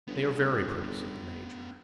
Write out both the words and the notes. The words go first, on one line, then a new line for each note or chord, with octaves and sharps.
"They are very pretty," said the major.
G1 B3 C#4